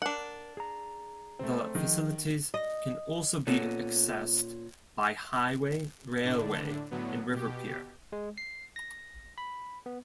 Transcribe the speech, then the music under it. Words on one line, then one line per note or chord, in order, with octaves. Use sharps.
The facilities can also be accessed by highway, railway and river pier.
D4 A#4 F#5
G#4 A#5
A3 C4
D#3 F3 G#4 D#5
D#5
A#2 B3 C#4 A4
A2 D3 D4
A2 D3 F#3 B3
B2 G4
G#3
C7
A#6
B5
B3